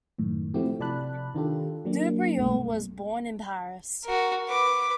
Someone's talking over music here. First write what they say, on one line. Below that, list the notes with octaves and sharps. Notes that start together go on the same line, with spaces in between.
Dubreuil was born in Paris.
F#2 A2 D#3
F3 A3 C4 E4 F#4 G4
C3 D5 A5 B5 F#6
D#3 D4 F4 G4 A4
F#3 A#3 D4
C2 G2 B2 A3
F#4 A#4
B4 D6